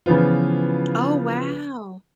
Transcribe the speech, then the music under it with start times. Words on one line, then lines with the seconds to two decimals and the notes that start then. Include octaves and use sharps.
Oh, wow!
0.06 C#3 E3 F3 B3 F4